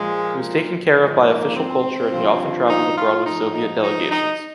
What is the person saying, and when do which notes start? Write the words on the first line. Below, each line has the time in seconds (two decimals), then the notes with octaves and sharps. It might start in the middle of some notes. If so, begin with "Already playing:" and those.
He was taken care of by official culture and he often travelled abroad with Soviet delegations.
Already playing: A#2 F3 G#3
0.98 G#2 F3 G#3
1.26 A#3
1.55 C4
2.12 G2 F3
2.68 D#4
2.97 F4
3.25 G#2 F3 D#4
3.54 D#4
3.82 D#4
4.10 D#4